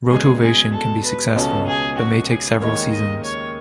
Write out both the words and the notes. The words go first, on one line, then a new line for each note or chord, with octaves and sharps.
Rotovation can be successful, but may take several seasons.
E1 E2 C#3 G#3 G#4
G#4
A4
B4
C#2 B2 G#3 C#4 A4
G#4
F#4
G#4
D#2 D#3 G#3 D#4 C#5
D#5
C#5